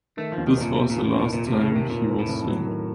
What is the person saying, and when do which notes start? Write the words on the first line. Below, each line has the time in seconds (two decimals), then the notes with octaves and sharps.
This was the last time he was seen.
0.17 D#3 A3
0.32 F3
0.38 D#2
0.47 D#3
0.57 F1 A#2
0.76 F1 C3
0.90 A#2 D#3
1.04 A2
1.14 D#2 A2
1.33 F1 A#2
1.47 F1 C3
1.61 C#3
1.72 C3 D#3
1.90 D#2 A#2
2.09 F1
2.19 A2
2.28 F1
2.48 F#3
2.66 D#3